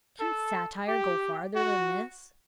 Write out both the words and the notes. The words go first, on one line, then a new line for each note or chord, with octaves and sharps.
Can satire go farther than this?
A4
G4
F#4